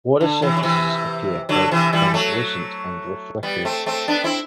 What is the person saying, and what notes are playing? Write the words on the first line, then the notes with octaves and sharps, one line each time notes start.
Water surfaces appear both translucent and reflective.
D3
C3 E3
F#3
C3 E3
D3 F#3
C3 E3
E3 G3
F#3 A3
G3 B3
A3 C4
A3 C4
B3 D4
C4 E4